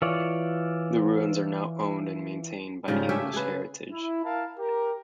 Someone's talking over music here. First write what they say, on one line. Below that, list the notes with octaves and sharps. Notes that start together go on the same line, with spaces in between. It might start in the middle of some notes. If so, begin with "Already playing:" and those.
The ruins are now owned and maintained by English Heritage.
E3 F4 C#5 D5
G#2 C#3 F3 G3
A3 C#4 G4 E5
G#4 B4
E4
E4 A#4 F5 A5
G4 A#4